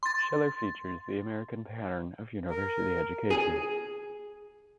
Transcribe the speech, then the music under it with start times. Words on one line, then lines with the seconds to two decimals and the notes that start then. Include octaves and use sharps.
Schiller features the American pattern of university education.
0.03 C6 A6
2.50 A#4
3.30 G#4